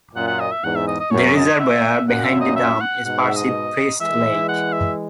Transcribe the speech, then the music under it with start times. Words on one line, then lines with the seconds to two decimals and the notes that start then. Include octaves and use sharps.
The reservoir behind the dam is Percy Priest Lake.
0.16 F#2 A#2 F#5
0.27 F#5
0.40 D#5
0.51 E5
0.64 E2 G#2 F#5
0.75 E5
0.87 D#5
1.00 D#5
1.11 F#2 C#5
1.26 C#5
1.35 D#5
1.60 E5
2.08 F#2 A#2 F#5
2.24 E5
2.41 D#5
2.56 E5
2.81 F#5
3.04 G#2 B2 F#5
3.20 E5
3.36 D#5
4.01 E3 G#3 E5
4.49 F#5
4.72 E5